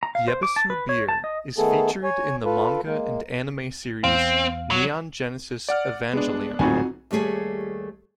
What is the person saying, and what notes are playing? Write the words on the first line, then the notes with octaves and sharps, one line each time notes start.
Yebisu Beer is featured in the manga and anime series "Neon Genesis Evangelion".
A#5
F5
C5
D6
A5
B4
C#5
A5
D#5
D#3 A3 B3 G#4 A4
C#5 G#5
F4 A4 B4
G#3 A#3
E2 C4 F5
F#3
D5 F#5 F6
G#3 B3 D4
D1 F2 G#2 C4 D#4 F4 F#4 G#5
D#2 G3 A3 G#4 C#5